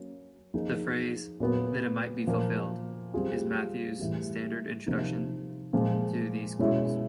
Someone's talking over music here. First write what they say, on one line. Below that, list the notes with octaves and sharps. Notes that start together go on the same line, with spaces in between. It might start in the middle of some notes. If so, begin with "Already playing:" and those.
The phrase "that it might be fulfilled" is Matthew's standard introduction to these quotes.
Already playing: F#3 A#3 C#4
F3 A#3 D#4 G#4
A#2 F#3 B3
A#2 F3 A#3
G3 C4 F4 G#4
A2 E3 G3
C3 F3 A#3 D#4
A#2 F3 G#3
B2 G#3 C#4 E4